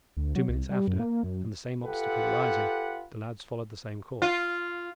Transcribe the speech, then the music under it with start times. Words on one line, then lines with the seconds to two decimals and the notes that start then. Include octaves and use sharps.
Two minutes after, and the same obstacle arising, the lads followed the same course.
0.17 D2
0.35 F#3
0.49 C2
0.70 G3
0.88 F#2
1.00 A#3
1.24 F#2
1.85 F4 G4 A4 B4 F#5
4.22 F4